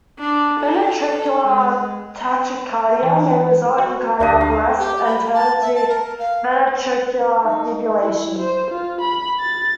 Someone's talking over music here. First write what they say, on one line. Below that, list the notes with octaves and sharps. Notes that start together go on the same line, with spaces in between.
Ventricular tachycardia may result in cardiac arrest and turn into ventricular fibrillation.
D4
A4
G#3
E3
F#4
D2 G3 D4 D#5
D#4 F5
G4
B5
A5
E5
A5
A#4
F5
D#4
E4
C5
F4
B5
A6